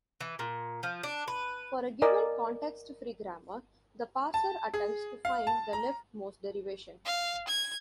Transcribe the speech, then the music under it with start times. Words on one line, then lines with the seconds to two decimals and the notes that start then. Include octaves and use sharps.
For a given context-free grammar, the parser attempts to find the leftmost derivation.
0.21 E3
0.39 A#2
0.83 F3
1.03 D4
1.28 B4
2.02 A#4 D5 D#5 G#5
4.34 A5
4.74 G#4
5.25 F5
5.47 A5
5.73 A#5
7.05 F5
7.47 G#6